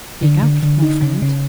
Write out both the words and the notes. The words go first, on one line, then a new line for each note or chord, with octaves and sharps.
"Speak out, my friend."
D3
D3
D3
D#4
C#3
C#3